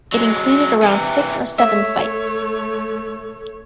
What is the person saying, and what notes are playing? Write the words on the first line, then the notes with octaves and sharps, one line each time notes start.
It included around six or seven sites.
F#3 G#3
C3 E3
A3 A4 C#5 E5